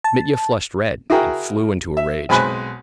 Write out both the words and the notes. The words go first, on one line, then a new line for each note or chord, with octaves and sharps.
Mitya flushed red and flew into a rage.
A5
E4 F#4 G#4 A#4 G5
E5
B1 G#3 C4 G#5 B5 F#6